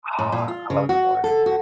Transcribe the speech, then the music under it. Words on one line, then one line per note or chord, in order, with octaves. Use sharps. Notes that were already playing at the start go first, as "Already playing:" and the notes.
Ah, I love The Boys.
A2
A#2
F4
C#3
F#4
A4
F#4